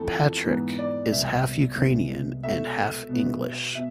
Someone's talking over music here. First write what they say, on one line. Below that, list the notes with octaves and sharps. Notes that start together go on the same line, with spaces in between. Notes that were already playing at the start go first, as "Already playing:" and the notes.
Patrick is half Ukrainian and half English.
Already playing: F2 E3 A3 A4
G#2 E3 B3
D5
C2 B2 B3 E5
C2 C3 G#3 B3
B2 A3 E5
B2 B3
B2 E5